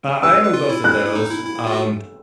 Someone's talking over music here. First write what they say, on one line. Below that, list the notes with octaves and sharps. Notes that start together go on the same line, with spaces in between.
Uh, I own both of those. Um,
B4 E6
B4
F4
E4
E4 F#6
E4
D#4
E4
E4
E4
F4
F#4